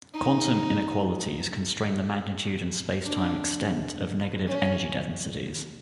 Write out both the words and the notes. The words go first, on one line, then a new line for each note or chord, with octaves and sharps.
Quantum inequalities constrain the magnitude and space-time extent of negative energy densities.
D#4
D4
C#4